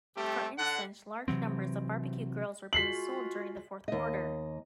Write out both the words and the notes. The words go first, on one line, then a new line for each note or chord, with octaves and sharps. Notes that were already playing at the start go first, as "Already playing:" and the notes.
For instance, large numbers of barbecue grills were being sold during the fourth quarter.
G3 A3 C4 G4
D3 F#5
C3 E3 F#3 C4
G#3 F4 F#4 B6 C7 F#7
D#2 D#5